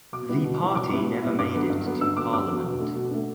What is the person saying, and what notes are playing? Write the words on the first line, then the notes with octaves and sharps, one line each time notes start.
The party never made it to parliament.
B2 D6
G3 B3 E4
B2
G3 B3 E4
B2 D6
G3 B3 E4
B2
G3 B3 E4
G2 D6
D3 F#3 B3
G2
D3 F#3 B3
G2 E6
D3 F#3 B3 D6
G2 D6
D3 F#3 B3
B2
A3 D4
B2
A3 D4